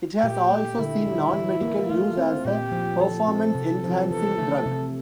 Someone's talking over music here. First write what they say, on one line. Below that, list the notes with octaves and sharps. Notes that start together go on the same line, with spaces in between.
It has also seen non-medical use as a performance-enhancing drug.
A#2 G4
A3
D3 E4
G3
E3
A#3
A3 F4
C4
A#2 G4
F3
F3 A4
C4
C3
F3
E3 A4
A3
C3